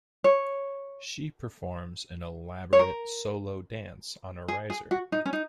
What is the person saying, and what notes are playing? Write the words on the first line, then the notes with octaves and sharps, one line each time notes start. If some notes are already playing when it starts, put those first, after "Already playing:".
She performs an elaborate solo dance on a riser.
C#5
C#5
A#4
G#4
G#4
F#4
D#4
C#4
D#4